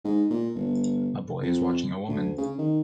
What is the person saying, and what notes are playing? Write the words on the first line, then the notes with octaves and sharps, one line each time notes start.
A boy is watching a woman.
G#2
A#2
G1
F2
D2
C#3
D#3